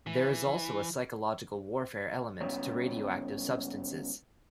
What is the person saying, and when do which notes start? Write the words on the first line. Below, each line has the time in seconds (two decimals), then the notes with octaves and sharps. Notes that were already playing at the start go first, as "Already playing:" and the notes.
There is also a psychological warfare element to radioactive substances.
0.07 E3
2.41 C#2 G2 C#3 B3 C#5